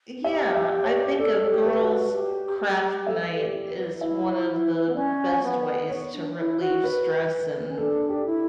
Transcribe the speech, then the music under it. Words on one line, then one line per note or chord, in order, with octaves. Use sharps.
Yeah, I think a girls' craft night is one of the best ways to relieve stress and
G4 E5
E5
C#5
D5
A4 D5
C#5
G4
B4
F#4
G4
A4 E5
G4 D5
B4
E4 E5
B3
C#4 D5
B3
C#5
D4
E4
F#4
B4
C#4
D4 A4
A4
G4
E4